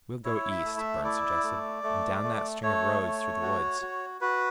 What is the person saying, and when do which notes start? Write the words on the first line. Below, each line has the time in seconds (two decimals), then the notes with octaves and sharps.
"We'll go east," Burne suggested, "and down that string of roads through the woods."
0.25 E4 C#5
0.51 E5
0.64 A3
0.78 E5
1.04 E4 D5
1.43 A3
1.84 A3
2.23 A3
2.63 A3 C#5
3.02 A3
3.43 F#4
3.82 F#4
4.21 F#4 B4